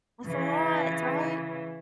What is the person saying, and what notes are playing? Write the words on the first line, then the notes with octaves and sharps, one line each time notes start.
That's a lot, right?
C#3 E3